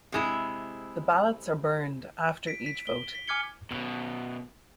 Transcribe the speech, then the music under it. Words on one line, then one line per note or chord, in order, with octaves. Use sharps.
The ballots are burned after each vote.
C3 G#3 E4
B6 D7
B6
G7
B6
G#5 D6 F6 G#6 C#7 G7
B2 C#4